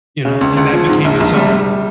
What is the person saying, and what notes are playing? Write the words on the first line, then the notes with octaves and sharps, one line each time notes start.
you know, and that became its own
C#3
C#2
C#2
F3
G#2
A#1
A#1
G3
G3